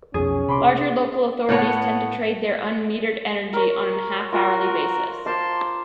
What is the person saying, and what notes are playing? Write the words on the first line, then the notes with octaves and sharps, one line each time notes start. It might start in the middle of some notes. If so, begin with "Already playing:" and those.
Larger local authorities tend to trade their unmetered energy on a half-hourly basis.
B1 F2 C#4 G#4
C3 B5 C6 D6
A2 B3 C#5 F#5
A#4 C#5
F#4
F4 F#4 A#4
C5 F5 A5 C6 D6